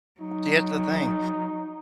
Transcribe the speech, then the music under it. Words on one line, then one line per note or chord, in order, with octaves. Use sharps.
here's the thing.
F#3 D#4